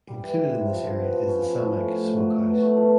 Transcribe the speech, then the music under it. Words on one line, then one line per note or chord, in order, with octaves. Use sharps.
Included in this area is the Samak Smoke House.
G3
E3
E3
C3
F3
F3
B3
F3
C#4
F3
C#4
A2
A2
A2
F#3
F#3
B2
A3
B2